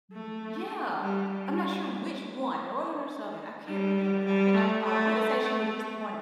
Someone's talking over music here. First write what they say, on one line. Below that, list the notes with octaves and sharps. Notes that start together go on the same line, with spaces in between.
mm Yeah, I'm not sure which one, Northern or Southern, I can't remember, I think I I wanna say she was disappointed
A3
G3
G3
G3
G3
A3
A3
A3